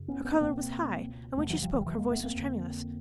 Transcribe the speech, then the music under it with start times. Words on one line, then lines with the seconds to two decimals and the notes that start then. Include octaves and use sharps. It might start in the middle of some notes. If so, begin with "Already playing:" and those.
Her color was high, and when she spoke her voice was tremulous.
Already playing: F#2 C#3
0.08 B3 C#4
0.25 B3 C#4
0.35 B3
0.40 C#2 B2 A#3 C4
1.38 E2 C3 A3 B3
1.50 E3 F#3
1.62 F3 G3
1.74 E3 F#3
1.81 G3
1.86 E3 F#3
1.98 G#3 A#3
2.11 A3 B3
2.23 A#3 C4
2.35 F2 D3